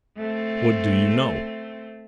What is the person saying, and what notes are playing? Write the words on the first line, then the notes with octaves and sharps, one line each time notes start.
"What do you know?"
A3 C4